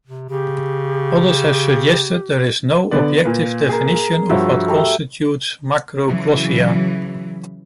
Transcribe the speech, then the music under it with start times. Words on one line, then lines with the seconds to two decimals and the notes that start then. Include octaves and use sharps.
Others have suggested there is no objective definition of what constitutes macroglossia.
0.07 C3
0.30 C#3 G4
2.91 D3 B3 D5
3.24 A#2 A#3 B4
3.69 G#4 A#4
4.29 G2 F3 F#4 C#5 E5
4.68 A3 G4 A#5
6.06 C#3 E3 F#3